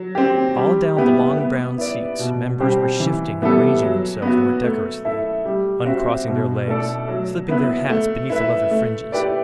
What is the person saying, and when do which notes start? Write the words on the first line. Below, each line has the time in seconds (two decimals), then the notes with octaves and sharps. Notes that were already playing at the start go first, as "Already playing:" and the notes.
All down the long brown seats members were shifting and arranging themselves more decorously, uncrossing their legs, slipping their hats beneath the leather fringes.
Already playing: F#3
0.15 C4 G4
0.56 G3
0.96 B3 E4 G4
1.37 B3
1.78 E4 B4 D5
2.19 B2
2.60 G3 C4 G4 C5
3.00 E3
3.42 G3 B3 E4 A4
3.83 F#3
4.22 B3 F#4
4.63 A3
5.05 E4 A4 E5
5.45 G3
5.86 C4 F#4 C5 E5
6.27 B2
6.67 A3 E4 A4 D5
7.08 F#3
7.49 B3 E4 B4
7.90 A3
8.30 E4 B4 E5
8.71 A3
9.12 E4 G4 B4 D5